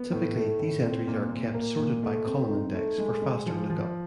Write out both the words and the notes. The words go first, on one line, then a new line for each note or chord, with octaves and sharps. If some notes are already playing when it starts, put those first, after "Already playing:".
Typically, these entries are kept sorted by column index for faster lookup.
Already playing: B3
A2
A3
A2
C4
A#2
A#2
A#3
A#2
A3
C4
D#4
A3
G#3
G#3
F3
F3